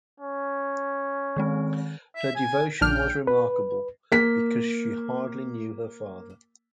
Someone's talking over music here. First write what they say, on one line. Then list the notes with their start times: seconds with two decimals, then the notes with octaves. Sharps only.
Her devotion was remarkable because she hardly knew her father.
0.20 C#4
1.36 D#3 G#3 C4
2.16 E5
2.35 G#5
2.81 A#1 D4 G5 F6
3.27 B4
4.12 A#3 B6